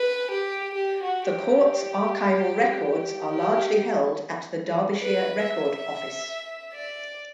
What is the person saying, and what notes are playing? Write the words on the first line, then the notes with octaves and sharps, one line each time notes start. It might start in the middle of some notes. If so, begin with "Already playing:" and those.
The Courts' archival records are largely held at the Derbyshire Record Office.
Already playing: B4
G4
G4
F#4
G4
G4
B4
E5
D5